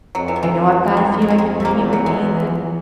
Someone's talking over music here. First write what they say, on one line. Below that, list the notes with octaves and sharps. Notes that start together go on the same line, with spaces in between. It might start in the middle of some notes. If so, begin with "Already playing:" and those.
I know I've got a few I can bring in with me, and then,
F2 F#3
E3
D#3
E3
F2
D#3
C#3
D3
D#3
A3
A#3
E2
F#3
G#3